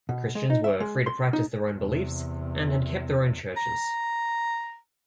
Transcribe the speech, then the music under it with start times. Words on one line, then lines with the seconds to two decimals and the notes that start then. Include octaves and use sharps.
Christians were free to practice their own beliefs, and had kept their own churches.
0.09 B2
0.35 G#3
0.50 D#4
0.64 E5
0.80 G#3
1.06 C6
1.33 D#4
1.76 E2 C3
3.57 A#5